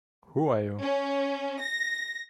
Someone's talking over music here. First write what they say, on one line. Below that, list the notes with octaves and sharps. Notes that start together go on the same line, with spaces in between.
Who are you?
C#4
A#6